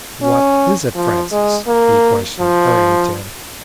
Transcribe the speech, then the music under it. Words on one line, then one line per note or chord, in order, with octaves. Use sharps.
"What is it, Francis?" he questioned, hurrying to him.
C#4
F3
G#3
A#3
F3